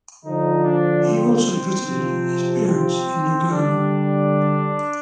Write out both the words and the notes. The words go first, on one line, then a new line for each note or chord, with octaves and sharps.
He also visited his parents in Lugano.
D3 F3 D#4
D4
C4
C3 F3
C4
D3 G3 D4